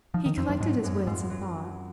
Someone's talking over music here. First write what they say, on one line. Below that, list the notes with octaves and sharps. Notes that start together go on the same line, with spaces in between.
He collected his wits and thought.
F3 D#4
D#3
F2 C4
F#2
G#2 F#3
F#2
G#2 F4
F#3